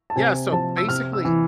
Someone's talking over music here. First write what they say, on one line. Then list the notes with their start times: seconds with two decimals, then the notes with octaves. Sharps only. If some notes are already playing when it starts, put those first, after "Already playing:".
Yeah, so basically
0.10 A5
0.16 C3 G#5
0.52 F3 A5
0.77 E6
0.88 C3 F6
1.13 E6
1.25 E3